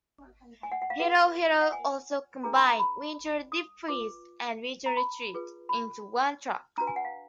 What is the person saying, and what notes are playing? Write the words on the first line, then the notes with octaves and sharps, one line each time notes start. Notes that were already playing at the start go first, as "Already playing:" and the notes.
"Hero, Hero" also combine "Winter", "Deep Freeze" and "Winter Retreat" into one track.
G#5
F#5
F#5
F5
F4 G#4 B4 F#5
F#5
G#5
D4 G#4 B4 A#5
B5
A#5
B5
D#6
F4 B4 D6
A#5
B5
F4 G#4 B4
B5
D4 F#4 B4 A#5
G#5
F#5
F5